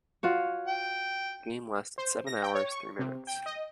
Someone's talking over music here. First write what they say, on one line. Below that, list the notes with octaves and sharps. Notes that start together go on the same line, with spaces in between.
The game lasted seven hours three minutes.
F4 F#4 C#5
G5
C5
A#6
G5
C#5
C#6
C3
G5
D#5